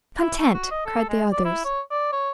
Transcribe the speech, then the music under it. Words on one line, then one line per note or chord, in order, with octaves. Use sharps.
"Content," cried the others.
E4
A3
F#4
D#5
A4
G#3
D5
E4
C#5
D5
C#5